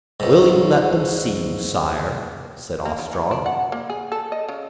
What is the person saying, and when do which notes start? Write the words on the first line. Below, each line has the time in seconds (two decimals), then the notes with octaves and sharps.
"Will you let them see you, Sire?" said Ostrog.
0.20 C#2 G#2
2.85 A#3
2.99 C#3
3.13 E3
3.31 D4
3.46 F#5
3.72 A#3
3.90 G#4
4.12 A4
4.32 D#5
4.49 C#3